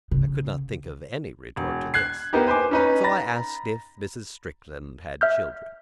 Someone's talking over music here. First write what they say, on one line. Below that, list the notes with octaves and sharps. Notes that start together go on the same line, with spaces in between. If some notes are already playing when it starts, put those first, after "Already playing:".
I could not think of any retort to this, so I asked if Mrs. Strickland had children.
C#3
E1
F#6 G#6 C7
A#3 B3 D#4 G4
B4 C5 G#5 D6
C#4 D#4 B4
A#5 B5 A6 A#6
E5 F6 G6